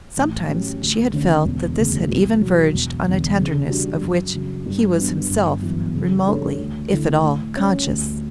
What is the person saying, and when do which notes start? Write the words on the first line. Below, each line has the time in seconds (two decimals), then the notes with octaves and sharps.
Sometimes she had felt that this had even verged on a tenderness of which he was himself remotely, if at all, conscious.
0.17 A1
0.49 A2 F#3 C#4 G4
0.81 D2
1.13 D3 A3 C#4
1.45 E1
1.77 D2 C#3 F#3
2.09 B1
2.41 B2 F#3
2.74 E1
3.05 E2 D3
3.38 C#3
3.69 G3 D4 F#4
4.01 F#2
4.34 C#3 F#3
4.66 G2
4.98 F#3 B3 D4
5.30 G1
5.62 F#2 E3 B3
5.94 C#3
6.26 G3 D4 A4 C#5
6.58 D2
6.90 D3 A3 E4
7.22 A2
7.54 G3 C#4 G4
7.86 D2